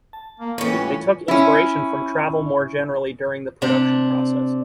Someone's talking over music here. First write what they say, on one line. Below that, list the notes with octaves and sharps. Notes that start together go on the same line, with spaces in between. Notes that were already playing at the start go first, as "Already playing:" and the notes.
They took inspiration from travel more generally during the production process.
A5
A#3
A2 E3 A#3 C#4
G3 F4
C#4 E4
C3 D4